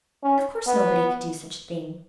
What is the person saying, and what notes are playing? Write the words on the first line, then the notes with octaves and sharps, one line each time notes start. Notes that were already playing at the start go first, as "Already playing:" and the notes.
Of course nobody could do such a thing.
C#4
B3